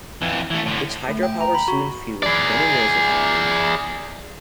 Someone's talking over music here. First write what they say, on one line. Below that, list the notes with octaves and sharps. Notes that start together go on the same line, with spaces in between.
Its hydropower soon fueled many mills and factories.
F2 E3
E3 A3
A2 D3
A3
G5
A#5
B5
F#4
G#4 D5